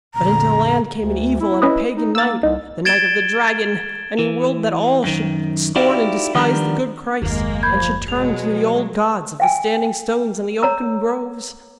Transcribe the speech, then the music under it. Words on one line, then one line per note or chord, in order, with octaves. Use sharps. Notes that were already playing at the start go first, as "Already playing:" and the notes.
But into the land came an evil and a pagan knight, the knight of the Dragon, and he willed that all should scorn and despise the good Christ, and should turn to the old gods of the standing stones and the oaken groves.
A#1 F2 D3 A#5
D2
E4
C#4 B4 D#5
D#4
A#3 E6 A6
C2 D#4
G#6 A6 D7 E7 G7
E3
F#2 D#3
D#4 E4 F#4 G4 D5 F5
D#3 F3 G3 B3 D4 A#4
F#1 D#2 G#3 A#3
F3 B5 G6 G#6
B2 F#3 G#3 F7
F5 G5 G#5
C#5 A#5 E6